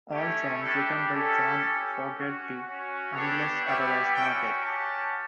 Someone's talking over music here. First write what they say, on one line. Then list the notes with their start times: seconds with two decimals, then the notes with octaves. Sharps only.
All songs written by John Fogerty, unless otherwise noted.
0.11 A3 C#4 E4 G4
0.62 G3 D4 G4 A4
1.13 C#4 E4 G4 A4
1.62 C#4 G4
2.12 C#4 F#4
2.62 C#4 F#4
3.13 B3 D4 G4 A4 C#5
3.64 G3 B3 E4 G4 C#5 E5
4.13 C#4 F#4 E5 G5
4.64 C#4 G4 F#5 A5